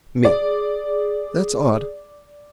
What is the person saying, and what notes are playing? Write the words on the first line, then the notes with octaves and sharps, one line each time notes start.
ME: That's odd.
G#4 D5